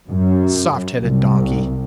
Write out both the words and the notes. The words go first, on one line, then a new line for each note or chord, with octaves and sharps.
Soft-headed donkey!
F#2
C2